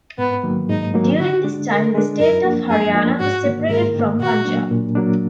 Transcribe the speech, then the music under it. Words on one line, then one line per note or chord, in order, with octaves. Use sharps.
During this time, the state of Haryana was separated from Punjab.
G#2 B3
D#3 F#3 A#3
G#2 D#4
D#3 F#3 A#3
D3 F#4
G#3 D4
D3 A#4
G#3 D4
F#2 A#4
F3 A#3 D4
F#2 G#4
F3 A#3 D4
G#2 F#4
D#3 A#3
G#2 A#4
D#3 A#3
A#2 F#4
F#3 A#3 D4
A#2
F#3 A#3 D4